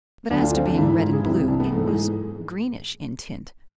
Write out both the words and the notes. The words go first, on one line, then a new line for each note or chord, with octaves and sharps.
But as to being red and blue--it was greenish in tint.
D2 D3 D4
F4
C4
D4
G#2 E3 E4
E4
F4
G#4
C2 C3 E3 E4
E4
D4
B3
G#2 E3 A3
G#3